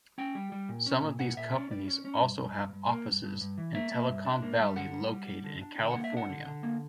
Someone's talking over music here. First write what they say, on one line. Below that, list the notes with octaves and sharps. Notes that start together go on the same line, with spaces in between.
Some of these companies also have offices in Telecom Valley located in California.
C#4 G5
G3
G3
A#2
C#4
A#2
A#2 F#5
A#2 E5
C#4 D5
G3 D5
C#4
C#4
G2
G2
G2
G2
A#3
G2
G2
G2
E3
A#3 E5
A#3
G2
D4
A#3
G3
D3 F#5
G3
G3
G3
D3
D4
D3 G5
A#3 F#5
E5
D4 F#5
D3
D3
A#3